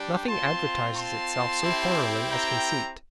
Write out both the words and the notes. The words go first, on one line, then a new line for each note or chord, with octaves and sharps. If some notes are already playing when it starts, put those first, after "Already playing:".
Nothing advertises itself so thoroughly as conceit.
Already playing: G3 D4 G4
C4 F4 A5 C6
A5 C6
C4 E4 G4
G5 A#5